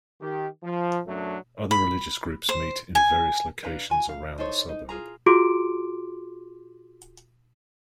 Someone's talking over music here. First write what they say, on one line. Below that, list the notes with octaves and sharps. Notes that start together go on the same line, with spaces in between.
Other religious groups meet in various locations around the suburb.
D#3 G4
F3
F#2 F#3 A3 D4
B5
C5
G#5
D4 B4 F5 A#5
F#4 G#5
F5
D#4 A4 C5 C#5
D#4
F4 G#4 A#5
F4 F#4 G#4 C6 D6 D7